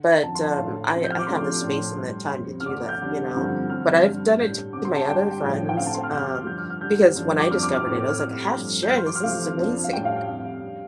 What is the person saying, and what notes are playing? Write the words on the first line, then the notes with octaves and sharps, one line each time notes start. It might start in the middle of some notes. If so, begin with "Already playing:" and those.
but, um, I I have the space and the time to do that, you know, but I've done it to my other friends, um, because when I discovered it, I was like, "I have to share this, this is amazing,
Already playing: D3
F2 D3 F3 A5
C6
A5
C6
A2 A3 D4 F5
C3 F3 C4
G6
F6
D6
C3 F3 A3 D4 C6
A2 F3 D4
G2 G3 D4
F2 C3 G3 C4
F6
F2 D3 A3 D4 D6
G6
F2 D3 G3 D4
G2 D3 F3 C4
G2 F3 C4 F6
G2 G3 D4
A2 G3 D4 G6
D3 G3 C4 D6
C6
A5
G2 G3 D4 G5
A2 F3 D4
G5
D3 A3 C4 F5
A5
C6
F6
F2 C3 G3 G6
F6
D6
F6
G2 F3 D4 G6
F6
F6
G2 D3 G3 D4 G6
G2 F3 A3 D4
D6
F2 F3 D4 F6
D6
F6
A2 A3 C4 D6
D6
F6
C3 G3 C4 F6
G2 F3 A3 D4
G6
C3 F3 C4 F6
C6
D6
F6
C3 F3 A3 C4 F5
F2 F3 D4
F5
A2 G3 D4 G5
F5
F5
F2 C3 G3
C3 G3 D4